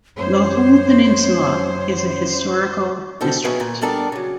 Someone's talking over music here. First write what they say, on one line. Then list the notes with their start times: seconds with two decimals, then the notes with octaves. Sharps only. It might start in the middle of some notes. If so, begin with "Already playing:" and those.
The whole peninsula is a historical district.
0.17 F#2 C5 C#5
3.21 B2 G3 A4 C5
3.44 B2 F#3 B3 E4 G#4 C#5
3.60 A#2
3.81 G3 B3 D4 A4 A#4 D5
4.12 C#3 F#3